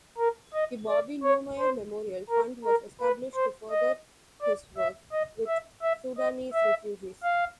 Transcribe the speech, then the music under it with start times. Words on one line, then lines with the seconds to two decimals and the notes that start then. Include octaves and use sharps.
The Bobby Newmyer Memorial Fund was established to further his work with Sudanese refugees.
0.18 A#4
0.54 D#5
0.89 D5
1.23 C#5
1.59 C5
2.30 A#4
2.65 A#4
3.01 B4
3.35 C5
3.70 D#5
4.41 D5
4.77 E5
5.12 D#5
5.47 E5
5.82 E5
6.18 D#5
6.53 E5
7.23 F5